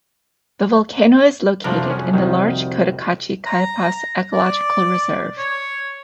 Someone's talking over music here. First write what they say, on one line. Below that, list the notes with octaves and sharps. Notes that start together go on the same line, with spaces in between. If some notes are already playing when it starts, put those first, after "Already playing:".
The volcano is located in the large Cotacachi Cayapas Ecological Reserve.
F1 F3 G3 D4 F#4 A#4
C#4
C2 D#3
A#5
D5
C#5